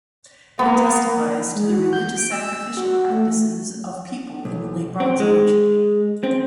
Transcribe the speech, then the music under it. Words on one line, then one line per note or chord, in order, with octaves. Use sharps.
It testifies to the religious sacrificial practices of people in the late Bronze Age.
A#3 B3
G#3
F#4
G6
D7
E6
F#4
A3
B1
C4
G#3
C4